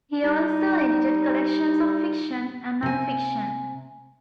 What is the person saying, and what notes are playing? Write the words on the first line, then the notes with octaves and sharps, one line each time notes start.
He also edited collections of fiction and non-fiction.
G3 D#4
C3 G#5